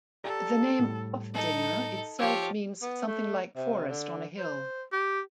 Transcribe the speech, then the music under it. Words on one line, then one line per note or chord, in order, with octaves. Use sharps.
The name "Uppvidinge" itself means something like forest on a hill.
G4 A4 D5 A#5
A2 G3
D#4 A4
F3 G4 C5 C#5 E6
B3
A3
C3
D3
C5
G4